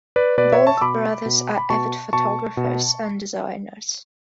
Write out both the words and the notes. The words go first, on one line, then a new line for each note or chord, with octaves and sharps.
Both brothers are avid photographers and designers.
B4 D5
B2 B4 D5
C#5 E5
A5 C#6
E6
B2 B5 D6
B2
B5
B2 A5 C#6
B2 A5 C#6
B2